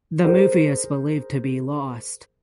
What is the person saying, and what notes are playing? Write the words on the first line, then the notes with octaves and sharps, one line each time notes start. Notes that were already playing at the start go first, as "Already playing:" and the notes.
The movie is believed to be lost.
G#4 A#4 C5